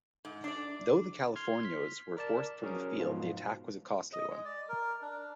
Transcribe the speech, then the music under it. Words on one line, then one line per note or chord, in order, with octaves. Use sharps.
Though the Californios were forced from the field the attack was a costly one.
G#2
D4 D5
C6 F6 G#6
B6
A#4 D5 A5
F#3 C#4 G#4 A#4
G#2 B2 F3 F4
D#5
G#3
D5
A#4
D4